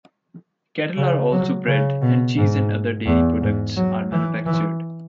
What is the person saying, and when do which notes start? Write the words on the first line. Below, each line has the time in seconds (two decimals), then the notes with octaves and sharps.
Cattle are also bred and cheese and other dairy products are manufactured.
0.97 C#3
1.31 F#3
1.67 C#3
2.02 B2
2.36 G#2
3.06 E2
3.41 G#2
3.76 F#3
4.12 E3
4.46 E3